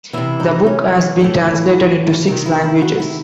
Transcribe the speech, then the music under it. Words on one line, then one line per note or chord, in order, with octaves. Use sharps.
The book has been translated into six languages.
C3 E3 E4
D#4
C#4
A2 E3
C3 D#3 D#4
E4
E4
F#4
E4